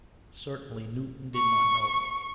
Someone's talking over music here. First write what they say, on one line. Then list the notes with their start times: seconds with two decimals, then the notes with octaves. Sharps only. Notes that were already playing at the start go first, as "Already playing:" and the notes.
Certainly Newton did not know it.
1.35 C#6